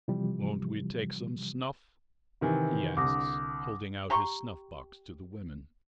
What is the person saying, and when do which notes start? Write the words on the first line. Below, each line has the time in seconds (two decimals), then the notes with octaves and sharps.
"Won't we take some snuff?" he asks, holding out his snuff-box to the women.
0.08 C3 E3 F3 G3
2.41 C3 D#3 E3
2.97 C2 D3 D6 D#6 A#6
4.10 G4 A#5 C6 C#6